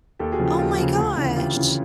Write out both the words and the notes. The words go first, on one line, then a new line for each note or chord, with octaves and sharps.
Oh my gosh.
D#2 G4 A4
F#4 G#4
C#3 F3
F4 G4
D#2 F4 G4
C#3 F3
D2
C#3 E3
D2 F4 G4
C#3 E3